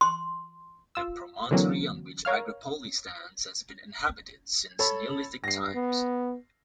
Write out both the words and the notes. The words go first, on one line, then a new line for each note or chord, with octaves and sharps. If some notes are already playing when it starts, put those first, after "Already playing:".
The promontory on which Agropoli stands has been inhabited since Neolithic times.
C6
F4 E6
D3 E3 F#3 A#3 C4
A#4 C#5 F5 F6
A4 C#5 B5
G2 A#6 C7
B3